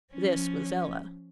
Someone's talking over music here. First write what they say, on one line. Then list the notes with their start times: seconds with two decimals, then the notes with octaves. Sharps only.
This was Ella.
0.14 F3 C#4